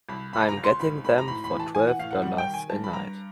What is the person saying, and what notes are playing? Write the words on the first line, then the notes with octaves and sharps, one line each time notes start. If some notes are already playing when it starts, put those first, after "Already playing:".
I'm getting them for twelve dollars a night.
C2 B5
C#3 B5
A#5
C#2
C6
G#2 B5
G#2 B5
A#5
A2 B5
B5
E3
A5
E3 G#5
F#5
A2 F5
F#5
G3 F#5
G5
D#3
G#5
G2 A5
B5
G2 A#5